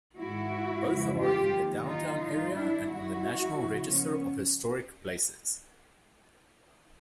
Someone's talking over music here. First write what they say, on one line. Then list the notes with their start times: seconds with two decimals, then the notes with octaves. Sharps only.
Both are in the downtown area and on the National Register of Historic Places.
0.18 G#2 D#3 G#3 E4 F#4
0.86 F2 C#3 E3 G#3
1.19 F4 G4
1.53 D#2 D#3 F#3
1.86 D#4 F4
2.20 G2 D#3 F#3 D#4 F4
2.54 D4 E4
2.87 F#2 D#3 G3 E4 F#4
3.56 E2 C#3 F3
3.89 B3 C#4